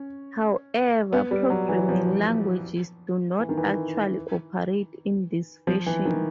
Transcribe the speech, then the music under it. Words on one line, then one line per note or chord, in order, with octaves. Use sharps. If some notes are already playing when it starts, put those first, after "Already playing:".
However, programming languages do not actually operate in this fashion.
Already playing: C#4
B3
G3
F#3
E3
F3
E3
D#3
E3
F3
E3
D#3